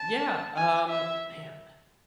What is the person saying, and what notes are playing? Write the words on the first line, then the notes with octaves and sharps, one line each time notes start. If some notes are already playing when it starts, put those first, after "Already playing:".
Yeah. Um, man,
Already playing: A5
G#5
E5